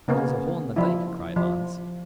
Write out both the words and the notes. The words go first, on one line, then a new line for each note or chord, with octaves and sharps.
"It is a hole in the dike!" cried Hans.
C#3 A#3 B3 C#4
F3 E4
F3